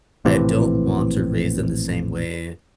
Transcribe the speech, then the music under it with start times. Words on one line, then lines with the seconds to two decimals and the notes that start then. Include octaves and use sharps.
I don't want to raise them the same way
0.25 A#1 A2 C3 E3